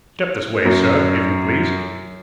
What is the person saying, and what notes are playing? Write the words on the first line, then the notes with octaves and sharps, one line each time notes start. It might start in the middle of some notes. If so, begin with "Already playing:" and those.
Step this way, sir, if you please.'
F#2